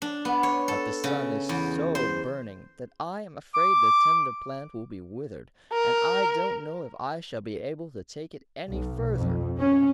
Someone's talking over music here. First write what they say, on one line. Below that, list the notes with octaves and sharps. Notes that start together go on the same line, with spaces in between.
But the sun is so burning, that I am afraid the tender plant will be withered, and I don't know if I shall be able to take it any further.'
D4
B3
C#5
A4
C#3
E2
C5
D6
A#4
B1
F2
C#4